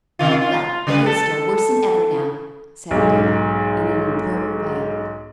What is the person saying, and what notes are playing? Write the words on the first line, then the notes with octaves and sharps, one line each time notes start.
"Well, you'll stare worse than ever now," said Adela, in an important way.
C3 D#3 F4
F4
C#3 G3 B4
A4
B1 G#2